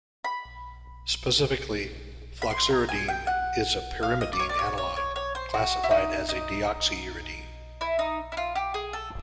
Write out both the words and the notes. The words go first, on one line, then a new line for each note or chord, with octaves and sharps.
Specifically, floxuridine is a pyrimidine analog, classified as a deoxyuridine.
B5
B5
C6
A#5
G#5
G5
F#5
F5
D#5
D5
C#5
D5
C#5
C#5
C#5
C#5
C5
F#4
E4
D#4
D#4
E4
D#4
E4
F4
G4
G#4
A4